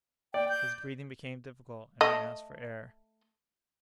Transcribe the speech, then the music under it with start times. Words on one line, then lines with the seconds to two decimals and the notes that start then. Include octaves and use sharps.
His breathing became difficult, and he asked for air.
0.34 D5 G5
0.49 G6
2.01 A3 D#5